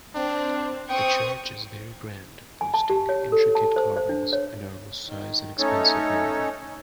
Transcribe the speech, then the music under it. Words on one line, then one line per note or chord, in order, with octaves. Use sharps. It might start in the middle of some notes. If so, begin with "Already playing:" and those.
The church is very grand boasting intricate carvings, enormous size, and expensive marble.
C4 D4
C4 G5 C#6 D#6
G#5
A5
G4
C#5
A4
A5
C5
C5
D4
C#5
D#3
A3 C#4 D#4 A4 C#5